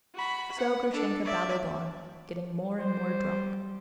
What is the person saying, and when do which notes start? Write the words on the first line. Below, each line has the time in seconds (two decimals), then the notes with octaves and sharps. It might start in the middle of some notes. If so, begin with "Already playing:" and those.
So Grushenka babbled on, getting more and more drunk.
0.14 F#4 B5
0.59 F#5
0.92 D4 A4
1.25 D5 E5
2.80 G3 C5